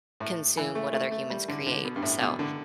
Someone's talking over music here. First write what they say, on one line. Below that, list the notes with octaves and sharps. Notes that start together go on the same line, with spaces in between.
consume what other humans create. So
A2
E3
A3
A3
A3
G3
D3
D3
B2
G2
A2
B2
D3